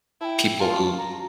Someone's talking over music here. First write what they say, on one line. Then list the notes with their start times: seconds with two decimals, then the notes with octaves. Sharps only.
people who
0.21 E4 G5 A5
0.60 F4 A#5
0.64 A5
0.98 A#5